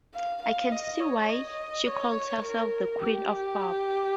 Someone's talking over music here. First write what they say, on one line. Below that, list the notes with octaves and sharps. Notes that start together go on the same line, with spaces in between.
I can see why she calls herself the Queen of Pop.
F5
F5
D#5
C#5
D#5
C#5
A#4
G4